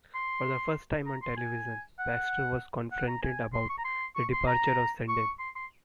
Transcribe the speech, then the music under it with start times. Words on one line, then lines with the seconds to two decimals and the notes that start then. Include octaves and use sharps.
For the first time on television, Baxter was confronted about the departure of Sundin.
0.14 C6
1.06 A#5
1.22 C6
1.37 G#5
1.99 F#5
2.92 F#5
3.07 A#5
3.22 G#5
3.53 C6
3.69 C#6
3.78 A#5
3.84 C6
4.15 C#6
4.32 C6
4.47 A#5
5.08 C#6
5.39 C6
5.55 C6